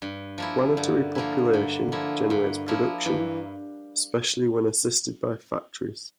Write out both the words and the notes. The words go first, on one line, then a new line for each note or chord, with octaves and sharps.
Planetary population generates production, especially when assisted by factories.
G2
F3 A#3 E4
G2 D3
F3 A#3 E4
G2
F3 A#3 E4
G2
F3 A#3 E4
G2 E3